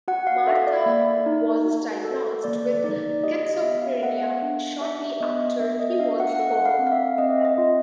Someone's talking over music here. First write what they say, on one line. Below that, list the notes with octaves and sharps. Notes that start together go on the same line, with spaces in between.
Martha was diagnosed with schizophrenia shortly after he was born.
F#4 F#5
F5
A4 E5
D5
A#3
D#4
F#4
A4
A#3 D5
D#4 D5
G4 D#5
D#5
B3 E5
F5
B3 F#5
D4
G4 E5
B3 D#5
B3 E5
D#5
D4 F5
F#5
A4 F#5
F5
C4
F5
E5
C4 D#5
D#5
F4